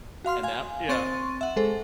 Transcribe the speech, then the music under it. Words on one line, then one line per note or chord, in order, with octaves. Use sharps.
and that yeah.
F#4 F5 C6 F6
F5 G#5
C4 C6 C#6 A6 D#7
E5 F#5
G#3 A4 C5